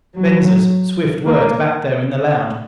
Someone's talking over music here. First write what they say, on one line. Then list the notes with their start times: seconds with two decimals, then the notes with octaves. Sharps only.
Venza's swift words back there in the lounge.
0.14 F#3
1.26 A#3